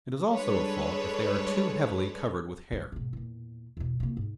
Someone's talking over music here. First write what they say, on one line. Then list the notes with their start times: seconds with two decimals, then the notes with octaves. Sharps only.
It is also a fault if they are too heavily covered with hair.
0.32 G3 G#3 D4 A4 B4 C#5
2.72 G2
2.92 G#2 B2
3.13 E2 A#2
3.77 E2 B2
4.00 C3 A#3
4.17 G#2